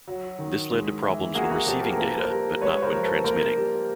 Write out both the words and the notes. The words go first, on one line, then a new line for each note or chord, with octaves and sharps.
This led to problems when receiving data, but not when transmitting.
F#3
D#3
G#3
E3
A#3 F#4 G#4
F#4 G#4
F3 G4 A4
G#4 A#4
A#3 A4 B4
A#4 C5
G3
G#3 B4 C#5
A#4 C5
F3
A4 B4
A#3 A#4 C5
G3